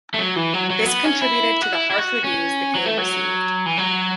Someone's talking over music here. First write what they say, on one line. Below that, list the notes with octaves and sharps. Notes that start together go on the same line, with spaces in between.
This contributed to the harsh reviews the game received.
A3
F#3
E3
F#3
F#3
B3
C#4
E4
F#4
E4
E4
F#4
C#4
F#3
A3
F#3
E3
F#3